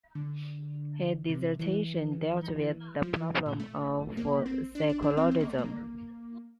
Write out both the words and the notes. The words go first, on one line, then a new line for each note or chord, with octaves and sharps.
His dissertation dealt with the problem of psychologism.
D3
C3
E3
F3
E3
A#2
A3
A#3
C4
D4
D4
D4
C4
C4
A#3
A3
A#3